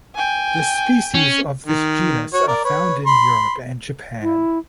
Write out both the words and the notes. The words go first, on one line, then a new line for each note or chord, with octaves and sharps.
The species of this genus are found in Europe and Japan.
G5 G#5
C#4
D#3
F#4 C#5
A#4 D5
B4 C#5
B5 C6
E4